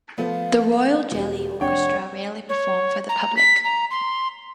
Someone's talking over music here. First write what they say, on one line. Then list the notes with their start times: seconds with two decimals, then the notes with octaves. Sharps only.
The Royal Jelly Orchestra rarely perform for the public.
0.18 F3 A3 B3 F5
1.14 E1 G4
1.61 F1 D4 C#5 F#5 G5
2.49 C#5
3.09 A#5
3.37 B6
3.64 A#5
3.91 C6